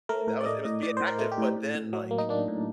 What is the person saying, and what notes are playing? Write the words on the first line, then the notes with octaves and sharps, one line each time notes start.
and I was it was being active, but then, like,
A3 A#4
A2 A#4
D5
A3 D#5
A2 D#5
A2 D5
A2 C5
A#4
A3
G4
A2
A2
A2
F#3
A#3
D#4
A#3 D4
A2